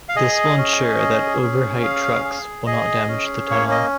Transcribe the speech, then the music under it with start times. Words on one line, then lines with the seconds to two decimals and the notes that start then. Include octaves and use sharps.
This will ensure that overheight trucks will not damage the tunnel.
0.09 F5
0.16 G#4 D#5
0.57 C#4
0.99 G#4
1.42 C#4
1.83 G#4 F5
2.24 G#4
2.67 G#4 D#5
3.08 C#4
3.50 A#3 C#5
3.71 D#5